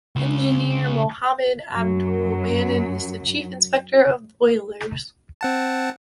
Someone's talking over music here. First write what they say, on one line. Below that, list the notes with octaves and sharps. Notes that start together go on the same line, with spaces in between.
Engineer Mohammad Abdul Mannan is the Chief Inspector Of Boilers.
C#2 C#3
F#2 F#3
C4 F#5 A5